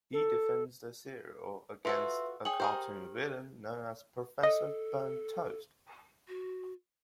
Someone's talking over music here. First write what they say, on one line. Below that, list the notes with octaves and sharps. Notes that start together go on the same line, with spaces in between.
He defends the cereal against a cartoon villain known as Professor Burnt Toast.
A4
F4 F#4 A4 B4 E5 C6 E6
G#4 C#5 G5 F#7
G4 G#4 A#4 C5
A4 D#5
F#4